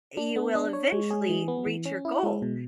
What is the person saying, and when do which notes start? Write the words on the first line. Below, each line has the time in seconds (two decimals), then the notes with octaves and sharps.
you will eventually reach your goal,
0.17 D4
0.36 B3
0.55 D4
0.73 C#5
0.92 G#3
1.11 G#4
1.29 E3
1.48 B3
1.66 E3
1.86 C#4
2.05 E4
2.23 G#3
2.42 B2